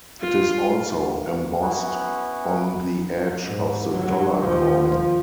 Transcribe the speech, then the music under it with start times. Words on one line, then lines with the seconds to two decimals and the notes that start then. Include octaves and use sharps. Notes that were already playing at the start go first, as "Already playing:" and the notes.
It is also embossed on the edge of the dollar coin.
0.21 F4
1.62 B3 C#4 E4 F#4
3.45 G#2
3.92 F#3
4.43 D#2 F3
4.89 F3